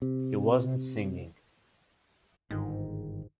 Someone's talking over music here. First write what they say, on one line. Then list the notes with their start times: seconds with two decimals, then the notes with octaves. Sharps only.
He wasn't singing.
0.02 C3
2.51 G1 G#2 D#3